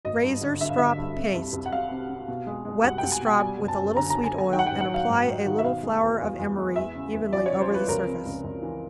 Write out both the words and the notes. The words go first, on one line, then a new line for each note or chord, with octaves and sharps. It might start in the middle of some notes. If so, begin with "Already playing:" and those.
Razor-strop Paste.--Wet the strop with a little sweet oil, and apply a little flour of emery evenly over the surface.
G#1 D#5
G2
D3
D3 E5
F5
D3 E5
G2
C3
C2
C2
F#5
C3 F5
C3
C3
B2
G#3
G#3
C2 F#5
C2 G5
G#5
B2 G5
G3 G#5
F#1
A5
F#2
D3 A#5
A#5
D3
G#5
F#2 G#5
D#3 G5
F#5
A1 G5
F#5
F#3 F5
G#2
G#2
D#3
E5
B2 F5
G#3
E2
E2
E2
G#3
E2 E5
C#3
E2
F3 D5
C#5
C#3
C5
F3 B4
C#2 A#4
C3
C#2
C#2
E3